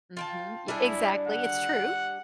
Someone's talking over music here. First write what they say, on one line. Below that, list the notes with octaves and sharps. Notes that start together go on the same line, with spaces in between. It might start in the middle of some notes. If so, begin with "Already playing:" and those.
Mhm, ye exactly, it's true.
F4 G5 A5
G3 D4 E4 G#4
F#5